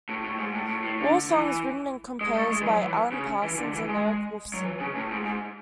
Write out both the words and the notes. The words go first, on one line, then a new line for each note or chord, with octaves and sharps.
All songs written and composed by Alan Parsons and Eric Woolfson.
A2
A2
G#2
A2
A2
A2
D3
E3
G#3
A3
G#3
E3
F#3
E3
C#3
E3
D3
E3
G#3
F#3
E3
C#3
A2
G#2
G#2